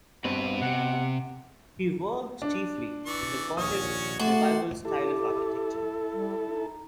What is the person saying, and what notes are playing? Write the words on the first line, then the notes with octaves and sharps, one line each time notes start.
He worked chiefly in the Gothic revival style of architecture.
G2 B2 C4 B4
C3 F#5
D4
E3 D5 C#6
A#1 D#2 A#2 C#4 F#4 C#5 D#6
A3 F#4 D5 C6
E4 G4 A4
G3
D#4